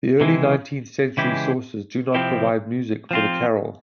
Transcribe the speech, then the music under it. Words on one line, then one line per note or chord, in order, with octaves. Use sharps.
The early nineteenth-century sources do not provide music for the carol.
C3 E3 G#3
C#3 E3 G#3 E4 G4
C3 F3 C4 E4 G4
F3 C4 F4